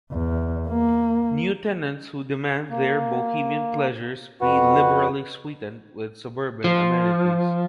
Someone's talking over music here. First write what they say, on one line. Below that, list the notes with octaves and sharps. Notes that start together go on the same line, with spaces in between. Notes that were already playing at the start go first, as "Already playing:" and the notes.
New tenants who demand their bohemian pleasures be liberally sweetened with suburban amenities.
E2
A#3
A#3
F2 F#4 B4 F#5
F3